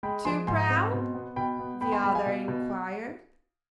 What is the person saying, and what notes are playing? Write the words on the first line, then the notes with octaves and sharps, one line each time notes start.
'Too proud?' the other inquired.
G#3 G5 B5
F3 G#5 C6
G#2 G#5 C6
C4
B2
B3
B2 G5 B5
B3
B3 G5 B5
G#5 C6
G#3 G5 B5
F5 G#5
B2
B2